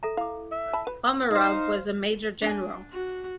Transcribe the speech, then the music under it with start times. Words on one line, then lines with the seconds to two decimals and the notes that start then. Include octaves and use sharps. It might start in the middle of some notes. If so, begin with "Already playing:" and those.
Omarov was a major general.
0.03 A4 E5 A#5
0.17 E4 F5 D6
0.52 E5
0.73 A5 B5
0.87 B4 B5
1.31 D#4 C5 F5
2.42 D4 G#5
2.92 F#4